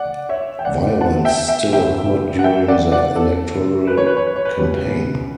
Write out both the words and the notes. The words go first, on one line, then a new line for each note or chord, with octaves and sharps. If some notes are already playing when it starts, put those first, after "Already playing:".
Violence still occurred during the electoral campaign.
Already playing: D5 F#5
C#5 E5
G5
D5 F#5
F#5 A5
E5 G5
E5 G5
G1 G2 F#3 E5 G5
F#5
E5 G5
D5 F#5
D5 F#5
A4
B4
C#5
B4
C#5
B4
C#5
B4
C#2 C#3 G3 B4